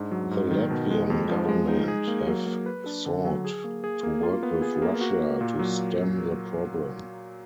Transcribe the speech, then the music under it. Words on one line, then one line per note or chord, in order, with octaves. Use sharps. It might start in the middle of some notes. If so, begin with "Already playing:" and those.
The Latvian government have sought to work with Russia to stem the problem.
Already playing: G#2 D4
F#3
G#2
D#3
B2
G#3
F2
F3
G#3
D#4
G#4
A#3
F#3
A#3
B4
D4
D3
F#3
G#4
A#3
G#4
A#3
F4
B3
G#4
A#3
F#4
A#3
A#2
F#3